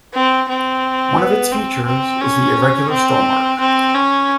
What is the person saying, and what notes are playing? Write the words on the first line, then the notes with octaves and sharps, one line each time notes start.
One of its features is the irregular stonework.
C4
C4
B3
C4
C4
C#4
C4
C4
C#4